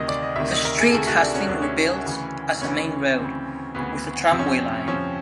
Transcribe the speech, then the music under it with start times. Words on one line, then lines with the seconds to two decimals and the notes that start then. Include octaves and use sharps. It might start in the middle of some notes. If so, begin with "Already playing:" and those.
The street has been rebuilt as a main road, with a tramway line.
Already playing: D2 C3 D#3 D#5
0.09 D5
0.22 D#5
0.36 D2 C3 D#3 E5
0.51 D#5
0.65 A#4
0.79 G#4
0.87 A4
0.93 D2 C3 D#3 G#4
1.07 F#4
1.21 D4
1.35 C#4
1.49 D2 C3 D#3 D4
1.62 C#4
2.06 D2 C#3 E3
2.62 D2 C#3 E3 C#4
3.18 D2 C#3 E3 C4
3.75 D2 C#3 E3 B3
4.32 F2 C3 F3 C4
4.39 C#4
4.46 C4
4.88 F2 C3 F3 C#4